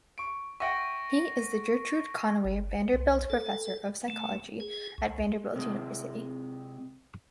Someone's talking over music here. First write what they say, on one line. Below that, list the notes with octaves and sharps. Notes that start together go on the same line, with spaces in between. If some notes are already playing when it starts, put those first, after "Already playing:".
He is the Gertrude Conaway Vanderbilt Professor of Psychology at Vanderbilt University.
C#6 D7
E5 F#5 G5 C#6 A#6 D7
G1
C2
A4
A3
G#4
C#2
C3 G#3